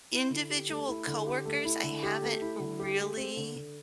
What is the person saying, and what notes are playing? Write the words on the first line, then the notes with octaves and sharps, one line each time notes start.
individual coworkers, I haven't really
E4
D3
G4
A3
E4
D3
G4
A3
E4
D3
G4
A3
E4
D3
G4
A3
C4
D3
D3